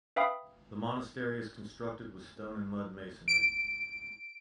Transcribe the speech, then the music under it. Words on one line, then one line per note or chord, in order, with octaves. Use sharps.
The monastery is constructed with stone and mud masonry.
B4 E5 F5 G5 B5 D#6
D7